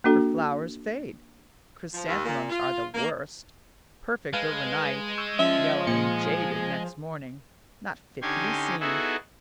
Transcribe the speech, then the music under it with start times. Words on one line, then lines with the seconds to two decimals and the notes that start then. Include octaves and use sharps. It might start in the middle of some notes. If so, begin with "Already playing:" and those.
For flowers fade; chrysanthemums are the worst; perfect over night; yellow and jaded next morning--not fit to be seen.
0.04 A#3 D4 F#4 A4
1.94 F3
2.08 D#2
2.25 A#2
2.49 F4
2.94 A#3
4.33 G#3 B4 F5 A5
5.18 C#6 E6 G6
5.39 F3 C#4 E5
5.87 A#2 G#4 C#7
8.22 D3 C#4 D#4 G4 G#5 C6
8.80 B3 D#4 E4 F#4 G#4 A4